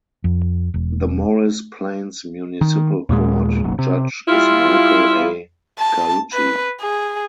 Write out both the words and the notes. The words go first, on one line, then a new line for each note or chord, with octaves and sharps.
The Morris Plains Municipal Court judge is Michael A. Carlucci.
F2
E1
D#3
D#2 A#2 G#3
F#1 B1 F#2
C3
G3 E4 F4
A5
B4
G#4